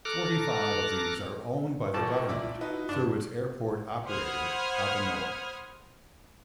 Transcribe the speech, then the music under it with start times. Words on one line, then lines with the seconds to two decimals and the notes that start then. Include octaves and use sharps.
Forty-five of these are owned by the government through its airport operator, Avinor.
0.05 A4 A#5 D6 F6 F#6
1.94 A1 A#2 A#4 G5 A5 C#6 D6
2.29 E4 F4 D5 E5 D6
2.61 D#4 F#4 B4
2.89 G2 D4
4.07 C5 F#5 B5 D#6 F6 G#6